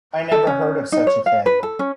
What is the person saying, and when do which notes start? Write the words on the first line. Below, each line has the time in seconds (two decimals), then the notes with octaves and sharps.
I never heard of such a thing.
0.32 A4
0.47 C#4
0.92 D#4
1.07 C#5
1.26 F5
1.46 B4
1.63 A4
1.79 C#4